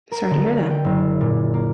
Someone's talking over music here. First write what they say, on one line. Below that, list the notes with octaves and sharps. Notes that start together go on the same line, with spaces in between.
Sorry to hear that.
A#4
D3
G5
F#1
A#2
A#3